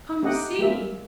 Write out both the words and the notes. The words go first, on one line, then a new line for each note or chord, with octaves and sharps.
"Come, see!"
A3 D#4 G4 D#5 F#5
G#3 A#3 E5